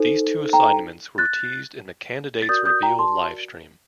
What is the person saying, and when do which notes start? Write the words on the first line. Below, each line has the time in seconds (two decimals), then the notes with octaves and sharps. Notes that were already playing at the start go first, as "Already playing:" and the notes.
These two assignments were teased in the Candidates Reveal Livestream.
Already playing: D#4 A4 C5
0.53 G5 A#5
1.18 F#6 A6
2.42 A6
2.49 F#4 A#4 D5 D#6 G6
2.66 D#6 G6
2.83 G5 A#5
2.99 A5 C6